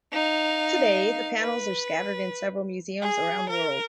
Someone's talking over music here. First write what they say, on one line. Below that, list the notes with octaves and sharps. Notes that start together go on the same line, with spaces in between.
Today the panels are scattered in several museums around the world.
D#4 F5
B4
G#4
A#4